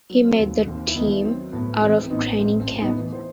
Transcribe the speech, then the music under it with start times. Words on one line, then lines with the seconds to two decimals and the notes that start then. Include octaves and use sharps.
He made the team out of training camp.
0.10 F#3
0.25 C4
0.39 D#2
0.67 D#2 C4
0.87 E4
0.96 D#3 B3 D#4
1.24 F#3 C4
1.52 A2 B3
1.82 E3 C4
2.01 C4
2.10 A1 B3 D#4
2.39 A1 C4
2.60 C4
2.68 A2
2.81 B3 D#4
2.96 E3
3.13 C5